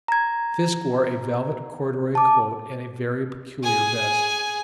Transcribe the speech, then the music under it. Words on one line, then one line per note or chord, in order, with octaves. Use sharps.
Fisk wore a velvet corduroy coat and a very peculiar vest.
A#5 G#6
A5 D6
G#4 G#5